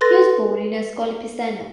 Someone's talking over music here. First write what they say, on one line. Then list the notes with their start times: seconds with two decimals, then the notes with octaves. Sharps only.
He was born in Ascoli Piceno.
0.01 A4 B4 C6 A6 A#6